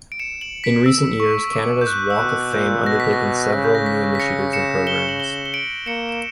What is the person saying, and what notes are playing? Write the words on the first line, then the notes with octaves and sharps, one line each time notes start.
In recent years, Canada's Walk of Fame undertaken several new initiatives and programs.
D7
C#7 E7
D7 F#7
B6 D7
E6
C#6
D6
G6
F#6
E6
B2 F#6
A#2 G6
B2 A#6
B6
A#6
C#3 A#6
G6
A#6
B6
B6
A#6 C#7
C#7 E7
E7 G7
F#7
E7 G7
G7
D7 F#7
A#3 C#7 E7
E7